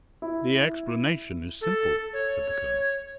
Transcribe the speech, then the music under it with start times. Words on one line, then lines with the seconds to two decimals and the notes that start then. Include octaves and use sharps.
"The explanation is simple," said the colonel.
0.22 E4
1.61 A4
2.13 C#5